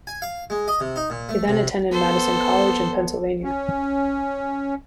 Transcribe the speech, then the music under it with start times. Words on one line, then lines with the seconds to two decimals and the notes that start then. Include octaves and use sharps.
He then attended Madison College in Pennsylvania.
0.07 G#5
0.22 F5
0.50 G#3
0.68 D#5
0.81 C3
0.96 D#4
1.10 A#2
1.29 A3
1.48 C3
1.92 B3 A4 C5
3.44 C#4